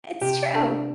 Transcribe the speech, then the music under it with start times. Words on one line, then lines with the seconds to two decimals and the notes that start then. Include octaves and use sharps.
It's true.
0.22 C3 G4
0.54 D4